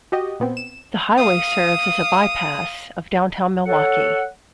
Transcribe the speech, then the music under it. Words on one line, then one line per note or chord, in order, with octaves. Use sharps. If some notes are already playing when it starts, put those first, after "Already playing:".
The highway serves as a bypass of downtown Milwaukee.
F#4 G4 D#5
A#2 B3 C4
E7
F5 D#6
A4 C#5 F#5